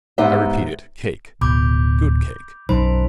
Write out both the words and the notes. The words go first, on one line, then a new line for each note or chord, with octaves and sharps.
I repeat it, cake--good cake.
G#2 B3 D#4 G4 C5 E5
D1 B2 B5 D6 G6
B1 F#2 D#4 C5 B5